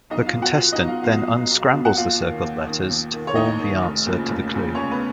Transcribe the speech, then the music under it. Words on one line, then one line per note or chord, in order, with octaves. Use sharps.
The contestant then unscrambles the circled letters to form the answer to the clue.
B1 D#4 D#5
F4 F5
B2
F#4 F#5
B1 F4 F5
D#4 D#5
B2
F4 F5
B1 F4 F5
B2
B1
B2
F#5
D#2 F4 F5
D#3
D#2
D#3
D#2
D#3
C#5
D#2 D#4 D#5
D#3
F1
D#2 C#3 F3
F1
D#2 C#3 F3
F1 C#4 C#5
B3 B4